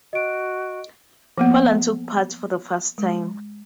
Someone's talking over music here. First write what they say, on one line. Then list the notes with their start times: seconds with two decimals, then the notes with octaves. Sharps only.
Poland took part for the first time.
0.13 F#4 D#5 D7
1.38 F3 A#3 B3
2.98 G#3